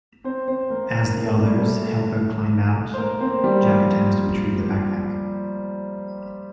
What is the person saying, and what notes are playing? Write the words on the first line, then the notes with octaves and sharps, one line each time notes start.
As the others help her climb out, Jack attempts to retrieve the backpack.
C4 C5
C4 C5
A#3 A#4
A#3 A#4
A#4
A4
G3 G4
A3 A4
C5
A#3 A#4
C4 C5
G3 G4
F3 F4